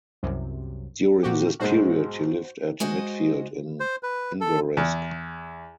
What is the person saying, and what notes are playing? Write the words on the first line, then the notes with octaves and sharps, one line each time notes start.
During this period he lived at Midfield in Inveresk.
C2 F#2 C3
A#2 F#4 G4
B1 G#2 G#3 F#4 C5
G#3 F#4 C5 D#5
C5
B4
A4
E2